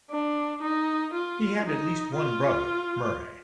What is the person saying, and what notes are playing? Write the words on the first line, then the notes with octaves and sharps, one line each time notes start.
He had at least one brother, Murray.
D4
D#4
F4
D#4
F4